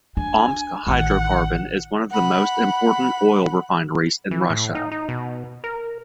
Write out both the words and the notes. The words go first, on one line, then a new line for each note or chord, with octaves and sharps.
Omsk Hydrocarbon is one of the most important oil refineries in Russia.
D4 G#5
A1 D#3 F#5
F#5 B5
E3
A2
D#4
D#4
B2
A#4